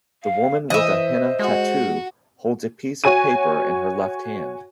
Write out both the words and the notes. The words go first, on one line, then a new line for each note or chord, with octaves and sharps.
The woman with a henna tattoo holds a piece of paper in her left hand.
F5
E3 C5 D#5 E5
G#3 F#4
F#4 C#5 G#5 D#7